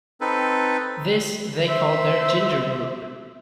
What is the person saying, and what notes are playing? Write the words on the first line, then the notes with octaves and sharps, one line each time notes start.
This they called their Ginger Group.
C4 D#4 A4 B4
C5 E5